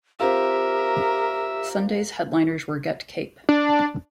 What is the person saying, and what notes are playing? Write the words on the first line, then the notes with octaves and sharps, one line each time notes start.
Sunday's headliners were Get Cape.
C4 F4 G4 A#4 E5
D4